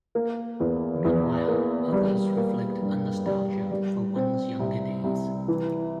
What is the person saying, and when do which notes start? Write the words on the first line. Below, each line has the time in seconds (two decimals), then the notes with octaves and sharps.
Meanwhile, others reflect a nostalgia for one's younger days.
0.15 A#3
0.60 E2
1.05 E2
1.48 A#3
1.92 G3
2.37 A#3
2.82 G2
3.26 G3
3.71 G3
4.16 C4
4.59 C2
5.04 C2
5.48 E3